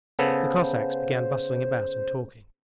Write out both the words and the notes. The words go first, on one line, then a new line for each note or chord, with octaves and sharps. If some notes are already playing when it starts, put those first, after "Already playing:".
The Cossacks began bustling about and talking.
C#3 B3 A4 C5